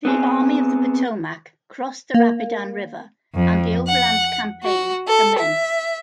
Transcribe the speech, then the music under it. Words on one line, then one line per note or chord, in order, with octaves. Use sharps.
The Army of the Potomac crossed the Rapidan River and the Overland Campaign commenced.
B3 C4 G#4
A#3
F2
F#5
F#4
A4
E5